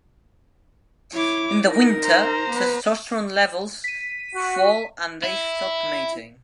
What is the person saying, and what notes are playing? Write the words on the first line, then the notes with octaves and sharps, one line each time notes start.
In the winter, testosterone levels fall and they stop mating.
E4 C#5 D6
D#4 E4 A#4
C5 A#5
B3 B4
B6 D#7
F#4
E4